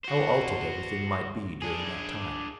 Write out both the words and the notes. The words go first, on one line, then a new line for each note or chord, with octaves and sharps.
How altered every thing might be during that time!
F#4 C5
D4 G#4